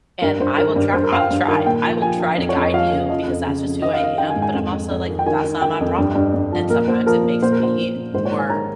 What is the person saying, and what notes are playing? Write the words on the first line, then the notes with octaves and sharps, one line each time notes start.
And I will try I'll try. I will try to guide you because that's just who I am, but I'm also like, that's not my problem. And sometimes it makes me more
G2 A#4
G2 C5
D#3 A#4
G2
G2 C5
A#4
G2 F5
G5
G2
D#3
A#2 G5
F3
F3 G#5
F3
F2
C#5
F2
D#5
F3 F5
C#3
F3 D#5
F2
C#3
F2
D#3 D#5
F5
D#3 D#5
D#3 G5
G#5
G#2
G#5
F2
F2
F2
D#3
G5
D#3 G#5
D#3
D#3 G5
F2
G2
G2
G2
F3
A#2 A#4
A#2 C5
F3 A#4
A#2
A#2 C5
A#4
F3 C5
A#2
A#2
G#2 C5
C#5
D#3
G#5
D#3 A#5